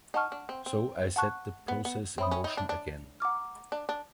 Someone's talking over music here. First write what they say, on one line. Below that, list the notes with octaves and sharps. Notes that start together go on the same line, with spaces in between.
So I set the process in motion again.
D#4 F#5 A5 C#6 F6
D4
C4
C4
F#5 A5 C#6 F#6
B3
B3
C4 C#5 E5 G5 B5 D#6
C#4
D#4
D4
D4
F#5 A#5 D6 F6
D4
D4